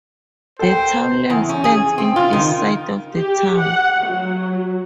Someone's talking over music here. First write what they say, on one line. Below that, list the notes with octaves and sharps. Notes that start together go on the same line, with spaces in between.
The townland stands in east side of the town.
A4 C5 G5
E2
C#4
G#4
C4
F4
D#3
G4
F#5
F#3